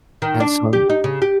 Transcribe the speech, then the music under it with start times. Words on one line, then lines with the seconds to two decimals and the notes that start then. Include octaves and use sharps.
And son.
0.22 D#3
0.40 D4
0.73 G4
0.90 D#4
1.04 C#3
1.22 G4